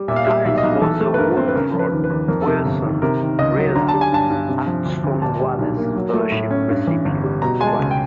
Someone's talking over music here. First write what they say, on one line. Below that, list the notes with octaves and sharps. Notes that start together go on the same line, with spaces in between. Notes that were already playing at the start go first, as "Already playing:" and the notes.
Harris was a Woodrow Wilson Lila Acheson Wallace Fellowship recipient twice.
Already playing: G3
A#2 E5
F5
G3 E5
B1 E5
D#5
B1
E3 A4
A3
B4
G2 A#4
C4
B4
C#3 A#4
F3
B4
D#2
B4
D#2
F2 A#4
A4
C3
A#4
G1
D#3
C3 A#4
D#3
C#2 D#5
F#3
D3 A#5
A5
G3
G#5
G2 A5
G2
C3
F3
D2
D2
A#2 A5
G3
B1
A#3
F#3
A3
A2
C#4
G2
E3
G1
G3
B2 A#5
G#3 G#5
A5
C#2
G5